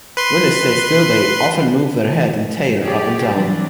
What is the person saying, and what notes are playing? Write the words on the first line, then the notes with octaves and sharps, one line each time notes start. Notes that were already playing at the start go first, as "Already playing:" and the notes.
When they stay still, they often move their head and tail up and down.
B4 C6
A3
G4 G#4 C#5 D5
E3 F#3 G3 C4 D4